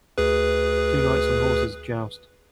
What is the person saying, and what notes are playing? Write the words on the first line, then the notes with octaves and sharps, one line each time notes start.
Two knights on horses joust.
D2 G#4 B4